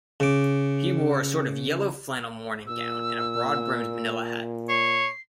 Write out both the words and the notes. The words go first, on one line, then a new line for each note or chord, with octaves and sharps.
He wore a sort of yellow flannel morning-gown, and a broad-brimmed Manilla hat.
C#3 D6
A#2 E6
C#5 C7